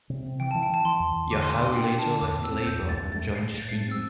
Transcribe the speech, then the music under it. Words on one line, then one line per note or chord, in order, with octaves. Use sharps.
Yahav later left Labour and joined Shinui.
C3
C4
E3 G5
A5
E3
G5
E3 A5
E3 C6
E2
E2
D3 D6
C6
A3
D6
D4
A3 G5
D4
A5
D3
E2 D6
C4
E6
C4
E2 G6
E2
A6
E2
A3 A6
A2
C7
A2
A2 A6
C7
A3
A6
C4 E6